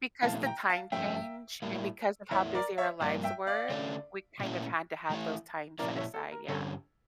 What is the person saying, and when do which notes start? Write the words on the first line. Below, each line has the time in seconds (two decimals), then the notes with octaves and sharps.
Because of the time change, and because of how busy our lives were, we kind of had to have those times set aside, yeah.
0.23 A#2 F3 A3 E4 F5 A5
0.46 G5 A#5
0.70 F5 A5
0.92 G2 F3 A3 C#4 E5 G5
1.62 A2 G3 A#3 E4
2.31 E2 E3 A3 E4 C#5 E5
2.55 A#4 D5
2.78 C#5 E5
3.00 G2 F3 A#3 D5 F5
3.24 E5 G5
3.47 D5 F5
3.70 D3 A3 C#4
4.40 A#2 A3 C#4 E4
5.10 E3 A3 E4
5.79 A#2 F3 C#4 E4 A#4 D5
5.96 C#5 E5
6.14 A4
6.32 A#4
6.48 G2 D3 G3 C#4 A4 C#5